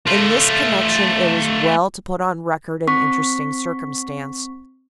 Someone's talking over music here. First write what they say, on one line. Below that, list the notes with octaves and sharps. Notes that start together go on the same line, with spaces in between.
In this connection it is well to put on record an interesting circumstance.
A3 F4
C4 C#6 B6